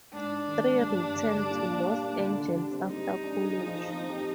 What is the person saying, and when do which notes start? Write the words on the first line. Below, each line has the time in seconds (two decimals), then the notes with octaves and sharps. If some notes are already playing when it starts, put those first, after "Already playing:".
Tree returned to Los Angeles after college.
0.13 G#2 D4
0.29 D#4
0.47 D#3
0.64 G#3
0.82 G2
0.99 G2
1.16 D3
1.34 G3
1.51 A#2
1.68 F4
1.85 G3
2.02 A#3
2.20 D3
2.36 D3
2.54 G3
2.71 C4
2.89 G3 D#4
3.06 G3
3.24 D4
3.41 G#4
3.57 F3
3.76 F3
3.92 C4
4.10 G4